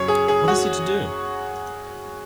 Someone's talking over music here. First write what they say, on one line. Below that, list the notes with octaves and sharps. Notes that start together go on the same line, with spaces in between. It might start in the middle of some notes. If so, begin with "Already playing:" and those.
What is he to do?
Already playing: F#2 C#3 F#3 C#5
G#4
G#4
F#4